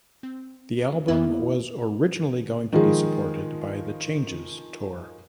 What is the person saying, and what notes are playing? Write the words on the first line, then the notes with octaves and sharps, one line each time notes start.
The album was originally going to be supported by the Changes Tour.
C4
F2 A#3 B3 E4
D#3 F3 G#3